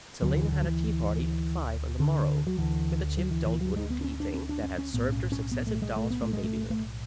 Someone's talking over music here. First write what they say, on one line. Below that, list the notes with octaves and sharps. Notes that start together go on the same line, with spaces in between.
Selina had a tea-party at five on the morrow, with the chipped old wooden tea-things that had served her successive dolls from babyhood.
D2 D3 F#3
E3
D3
F#3
E3
D3
F#3
D2 D3 E3
F#3
E3
E3
F#3
G#3
B3
D4
C#4
D4
C#4
D4
C#4
C#4
B1 A2 B3
C#4
C#4
B3
A3
G#3
A3
B3
A3
G#3
A3
A3